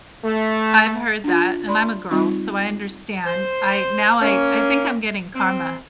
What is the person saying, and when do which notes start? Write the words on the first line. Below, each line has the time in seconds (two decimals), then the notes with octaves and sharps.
I've heard that and I'm a girl, so I understand. I now I I think I'm getting karma
0.25 A3
1.24 D4 F4
1.68 D5 B5 C6
2.11 G3 C4 D#4 F4 C#6
3.26 C5
4.21 A#3 C#4
5.35 C4